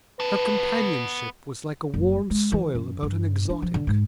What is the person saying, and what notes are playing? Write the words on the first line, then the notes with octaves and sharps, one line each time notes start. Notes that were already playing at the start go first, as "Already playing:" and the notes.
Her companionship was like a warm soil about an exotic.
B3 B4 A5
F#1
G#3
E3
F#2
G2
D4
F3
D3
G#2